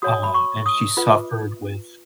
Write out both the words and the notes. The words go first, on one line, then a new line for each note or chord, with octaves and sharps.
um, and she suffered with
F#4 C#5 D#6
B5
C#6
D#6
F4 B4